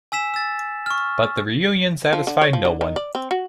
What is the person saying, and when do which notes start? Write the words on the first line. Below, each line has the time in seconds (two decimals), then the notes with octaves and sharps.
But the reunion satisfied no one.
0.12 G#5 E6 B6 E7
0.34 E6 A6
0.86 C#6 F6
2.13 F3
2.27 D3
2.41 C#5
2.53 F3
2.65 D3
2.81 D#3
2.96 D5
3.15 C4
3.31 F#4